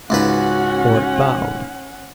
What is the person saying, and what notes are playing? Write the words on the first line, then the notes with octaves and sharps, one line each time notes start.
Fort bowed.
C#2 G#2 C#4 F#4 B4 F#5